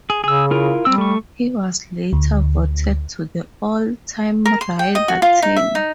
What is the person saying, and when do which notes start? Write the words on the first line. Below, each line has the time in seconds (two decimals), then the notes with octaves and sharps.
He was later voted to the All-Time Raider team.
0.10 G#4
0.24 C#3 G#4 E6
0.51 E4 F4 A#4
0.85 G3 C4 E6
0.98 A3 C#6
2.13 D2
4.46 A#4
4.61 C6
4.79 G5
4.95 D#5
5.08 F#4
5.22 F4
5.42 D#4
5.57 E5
5.75 D#4